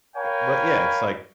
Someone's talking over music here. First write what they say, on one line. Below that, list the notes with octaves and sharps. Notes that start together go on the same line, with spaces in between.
Eh but yeah, it's, like,
A#4 C#5 F5 G5 G#5 B5